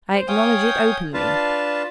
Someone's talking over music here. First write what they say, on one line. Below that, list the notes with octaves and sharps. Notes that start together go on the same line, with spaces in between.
I acknowledge it openly.
C5
C#5 F5 G5 G#5 D#6 G6
D4 F4 B4 F5 A5